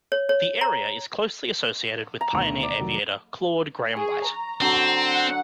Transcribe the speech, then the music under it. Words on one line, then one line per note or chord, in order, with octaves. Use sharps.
The area is closely associated with pioneer aviator Claude Grahame-White.
C#5
C#5
A#5
A#5
D2 B2 D#3
D5
F1 D#3 F#3
G#4 C#6
A#5
D3 F#3 C4
F#5